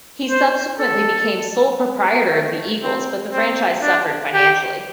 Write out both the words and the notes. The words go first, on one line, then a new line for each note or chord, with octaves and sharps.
He subsequently became sole proprietor of the Eagles, but the franchise suffered financially.
C5
A4
A3
C4
C4
D4
G4